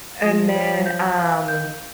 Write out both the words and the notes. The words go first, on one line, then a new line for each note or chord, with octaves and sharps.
And then, um,
F3 D#6
C#5
G6
F5
D#3 G6